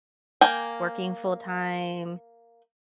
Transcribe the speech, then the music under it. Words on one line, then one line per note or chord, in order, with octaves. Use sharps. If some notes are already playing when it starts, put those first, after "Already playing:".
working full time
A#3 G5 G#5